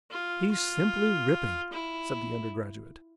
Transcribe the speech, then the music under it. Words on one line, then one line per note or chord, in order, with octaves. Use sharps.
"He's simply ripping!" said the undergraduate.
F4
F4
E4